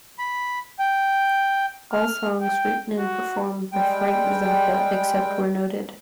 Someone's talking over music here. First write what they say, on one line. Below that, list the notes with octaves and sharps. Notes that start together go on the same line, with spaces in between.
All songs written and performed by Frank Zappa, except where noted.
B5
G5
F6
G5
F#4
G3 G#3 G5